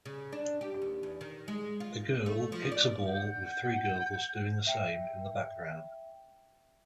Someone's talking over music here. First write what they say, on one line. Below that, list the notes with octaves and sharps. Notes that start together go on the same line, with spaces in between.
A girl kicks a ball with three girls doing the same in the background.
C#3
D4
G4
D#2
E2
D#3
G#3
F4
A3
F3
D5
F#5 G6
E5 G5